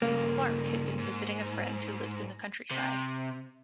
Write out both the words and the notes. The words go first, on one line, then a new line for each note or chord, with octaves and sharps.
Clarke had been visiting a friend who lived in the countryside.
G2 C#3 A#3
G#2
C3